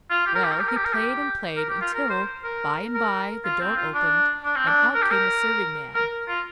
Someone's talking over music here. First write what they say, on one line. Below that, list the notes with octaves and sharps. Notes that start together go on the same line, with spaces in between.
Well, he played and played until, by-and-by, the door opened, and out came a serving-man.
F4
G4
A#4
G4
A#4
G4
A#4
G4
A#4
G4
A#4
G4
F4
A#4
C5
A#4
A#4
F4
C4
F4
D4
D4
C4
D4
A#4
G4
A#4
A#4
F4